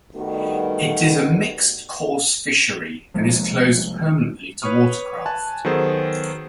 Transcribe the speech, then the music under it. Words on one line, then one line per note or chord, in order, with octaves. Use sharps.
It is a mixed coarse fishery and is closed permanently to watercraft.
G2 D#3 G3 A3 B3 F#4
C2 F3 G#3 A#3
B4 C#5 B5 C#6 D#6 F6
G#5 A5 F#6
D#3 F#3 B3 G#4 A4 C5